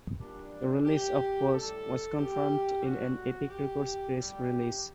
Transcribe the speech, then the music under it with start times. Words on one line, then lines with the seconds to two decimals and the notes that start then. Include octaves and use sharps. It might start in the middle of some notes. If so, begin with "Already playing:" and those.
The release of "Pose" was confirmed in an Epic Records press release.
0.18 A#2 G3 D4
0.85 G4
1.51 A2 G3 A4
2.18 G4
2.83 A2 G3 F#4
3.50 G4
4.16 A2 G3 G4